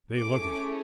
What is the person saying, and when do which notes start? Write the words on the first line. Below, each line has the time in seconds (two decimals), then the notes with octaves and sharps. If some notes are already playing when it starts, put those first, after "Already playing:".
"They look it."
0.18 A3 C#4 E4 G#4 D6